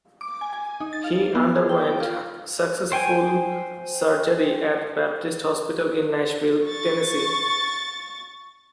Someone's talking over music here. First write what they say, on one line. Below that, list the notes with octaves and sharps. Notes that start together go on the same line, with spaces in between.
He underwent successful surgery at Baptist Hospital in Nashville, Tennessee.
D6
G#5
G#5
D#4
A6
F5
B3
G#4
G5
F4
C5 G5 G#5
C#6 A6